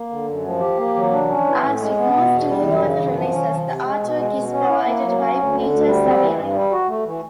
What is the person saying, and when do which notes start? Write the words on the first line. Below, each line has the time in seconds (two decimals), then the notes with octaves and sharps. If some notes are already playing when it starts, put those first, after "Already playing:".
As with most New Order releases, the artwork is provided by Peter Saville.
Already playing: A#3
0.10 D3
0.27 F#2
0.44 F3
0.60 G4
0.77 A#3
0.95 F#3
1.12 D4
1.29 C#4
1.46 E3
1.62 A2
1.80 G#3
1.97 B3
2.13 B2
2.30 E2
2.47 G3
2.65 F#2
2.81 C#3
2.98 F#2
3.14 F3
3.32 C#4
3.49 F3
3.66 C3
3.83 G#3
3.99 B2
4.17 G#3
4.34 B2
4.51 C#4
4.68 E4
4.85 A#3
5.02 F#3
5.19 C#4
5.35 D2
5.52 D3
5.70 D2
5.86 G3
6.04 C4
6.21 E3
6.37 G2
6.54 G3
6.72 F#4
6.88 A3
7.05 E3